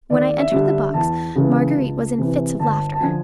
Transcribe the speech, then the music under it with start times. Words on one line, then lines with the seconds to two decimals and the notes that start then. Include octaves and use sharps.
When I entered the box Marguerite was in fits of laughter.
0.10 D#2 D5
0.38 E5
0.52 D3 G3
0.65 E5
0.94 E2 A5
1.35 C#3 E3 G#3
1.77 C#2
2.18 C3 E3
2.59 G1 A5
2.93 A5
3.01 D3 F3 G#5